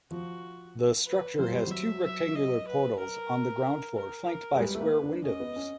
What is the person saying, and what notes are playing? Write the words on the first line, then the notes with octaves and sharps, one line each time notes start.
The structure has two rectangular portals on the ground floor flanked by square windows.
F3 F#4
B4
F#3 C5
G3
F#3 E5
E5
D#5
B4
A#4
A#4
A#4
G#3
G3 B4
A3
A#3
D4
C#4 D#5
B3
C#4